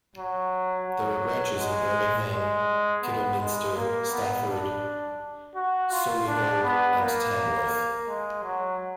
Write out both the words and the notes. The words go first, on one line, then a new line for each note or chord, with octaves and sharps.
There are branches in Birmingham, Kidderminster, Stafford, Solihull and Tamworth.
F#3
F#3
G#3
G#3
B3
G#3
A#3
B3
D4
F#4
F4
D4
B3
A#3
G#3
F#3